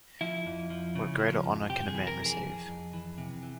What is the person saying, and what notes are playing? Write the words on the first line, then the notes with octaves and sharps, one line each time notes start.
What greater honor can a man receive?
F3 E4
F2
F3
C#3
F3
F2
C3 G4
G#4
E3
A#4
F2
G#4
F2
F2
E3
C3
E3